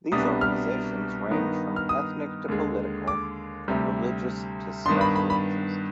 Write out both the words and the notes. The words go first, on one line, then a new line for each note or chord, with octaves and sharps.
These organizations range from ethnic to political, religious to special interest.
C2 B2 G3 B3 D4 D#6
F6
G2 D#3 B3 D#4
F6
D#6
D#2 D3 G#3
D6
D2 C3 G3
G2 D#3 B3 D4 C6
B5
B5
B5